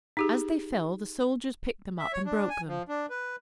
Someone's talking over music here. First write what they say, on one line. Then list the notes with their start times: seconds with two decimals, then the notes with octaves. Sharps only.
As they fell, the soldiers picked them up and broke them.
0.17 D#4 G4 G#4
1.99 E5
2.13 C#5
2.26 D4
2.49 G#5
2.68 F3
2.89 D4
3.10 B4